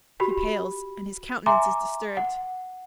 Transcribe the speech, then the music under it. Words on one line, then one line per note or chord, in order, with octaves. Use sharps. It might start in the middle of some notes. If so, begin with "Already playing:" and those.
He pales, and his countenance is disturbed.
F#4 G4 B5
E5 G#5 A#5 C6 D6
F#5